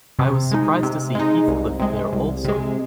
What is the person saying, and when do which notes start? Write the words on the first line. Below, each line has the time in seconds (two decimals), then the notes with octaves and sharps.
I was surprised to see Heathcliff there also.
0.19 C3
0.51 G#3 D#4
0.83 C3
1.15 G#3 D#4
1.48 C2
1.80 C3 G#3
2.13 C2
2.45 C3 G#3